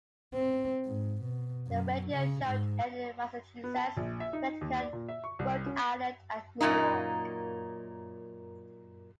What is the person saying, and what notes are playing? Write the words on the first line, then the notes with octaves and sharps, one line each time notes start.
The radio show aired in Massachusetts, Connecticut, Rhode Island and New York.
C4
G#2
B2
F#2
C#3
G#2
B3
A5
A#1
E5
D#4
D#2
D5
A#2
E5
C#6
C2
C#4
F#2 A#2 A#3 D#4